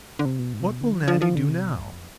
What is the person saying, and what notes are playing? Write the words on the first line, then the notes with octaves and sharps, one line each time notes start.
What will Nannie do now?
D3
C3
B2
G#2
C3
B2
D3
F3
F3
F3
D3
C3
B2
G2
F2